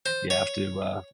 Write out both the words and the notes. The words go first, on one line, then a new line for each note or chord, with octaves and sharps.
You have to, uh,
C5
C#5